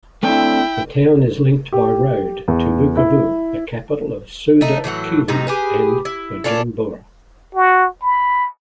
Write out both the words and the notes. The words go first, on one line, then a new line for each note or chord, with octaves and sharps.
The town is linked by road to Bukavu, the capital of Sud-Kivu, and Bujumbura.
A3 C4 D4 E4 G5
G4
E2
E4
A3 D#4
A2 E3 F#3 F#5
A2 C3 D#4 A#5
G4 G#4 B4
E4
C#4 D4 F4 A4
F#4
B5